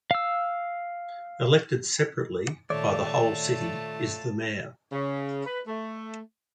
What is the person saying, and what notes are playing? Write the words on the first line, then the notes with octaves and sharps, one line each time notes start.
Elected separately, by the whole city, is the mayor.
F5 E6
A#2 D#3 A3 F4 C#5 D5 A5
C#3
B4
A3